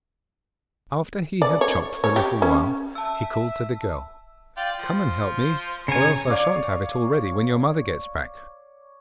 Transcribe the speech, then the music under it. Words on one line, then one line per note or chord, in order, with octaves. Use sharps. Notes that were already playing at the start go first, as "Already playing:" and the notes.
After he had chopped for a little while he called to the girl, 'Come and help me, or else I shan't have it all ready when your mother gets back.'
D5
C#5
C#5
G4
C#4
E5 A5 E6
F4 D5 G5
F3 C5
C#3 C#5 G#5 A#5
C#5 D5 F5